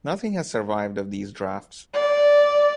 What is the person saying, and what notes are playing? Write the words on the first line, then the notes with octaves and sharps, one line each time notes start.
Nothing has survived of these drafts.
D5